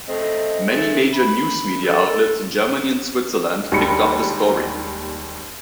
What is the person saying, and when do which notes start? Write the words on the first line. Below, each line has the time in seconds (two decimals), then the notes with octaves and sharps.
Many major news media outlets in Germany and Switzerland picked up the story.
0.09 A3 C4 D#5
0.71 G#4 A4 E5
1.14 B5
1.83 A4
3.72 D#2 G3 G#3 B5 C#7